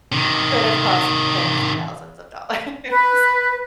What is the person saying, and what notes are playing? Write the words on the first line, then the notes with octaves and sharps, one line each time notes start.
could've cost tens of thousands of dollars.
C3 D#3
B4